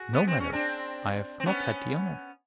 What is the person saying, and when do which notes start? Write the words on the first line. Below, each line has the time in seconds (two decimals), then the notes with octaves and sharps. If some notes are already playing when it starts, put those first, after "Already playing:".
"No, madam, I have not had the honor."
Already playing: F#4 G#4
0.13 B3
0.27 C4
0.40 C#4
0.52 C4 D4
1.40 C4
1.46 B3 C#4